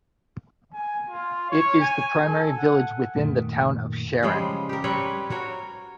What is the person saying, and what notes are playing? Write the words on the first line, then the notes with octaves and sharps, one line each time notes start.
It is the primary village within the town of Sharon.
G#5
F4
C#5
G#5
A4
F#5
F#2 A#2 D#3 A3
C#3 F3 G3 G#3
G4 A#4
G3 C4 B4 C#5
F#4 A#4 C#5